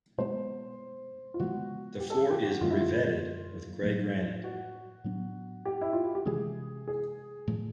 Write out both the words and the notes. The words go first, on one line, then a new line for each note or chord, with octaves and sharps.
The floor is reveted with grey granite.
B2 G#3 B3 C5
F4
C#3 F3 G#3 B3 F#4
G4
A4
G#4
G4
F#4
F#2 D3 F3 G#3 F4
E4
F4
A2 F#3 A3
F#4
A2 F#3 B3 D4
G4
E4
F4
F#4
G4
C3 E3 G#3 C#4 G#4
G#4
A2 F3 A3